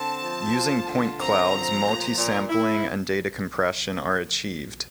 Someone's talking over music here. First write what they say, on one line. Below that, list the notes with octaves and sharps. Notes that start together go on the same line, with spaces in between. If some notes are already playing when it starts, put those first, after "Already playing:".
Using point clouds multi-sampling and data compression are achieved.
Already playing: D3 C4 A5
F3
F4
D3
C4 A#5
F3
A#2
A#2
E4